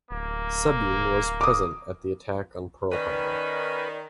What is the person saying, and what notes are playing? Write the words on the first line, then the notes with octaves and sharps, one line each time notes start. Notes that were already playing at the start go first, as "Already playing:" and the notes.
Sabin was present at the Attack on Pearl Harbor.
D1 A#3
D6 D#6
D#3 C#4 B4 D5